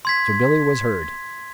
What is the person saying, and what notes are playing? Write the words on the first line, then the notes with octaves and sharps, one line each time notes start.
So Billy was herd.
C6 G#6 B6